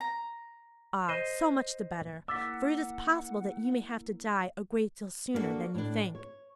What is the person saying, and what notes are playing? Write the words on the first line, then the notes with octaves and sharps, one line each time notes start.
'Ah!... so much the better: for it is possible that you may have to die a great deal sooner than you think.'
A#5
C5 D#5
A#3 E4 A#4 F#5 D6 E6 A6 B6
A#3 B3 D4 F#4 A4
A2 D4
C#5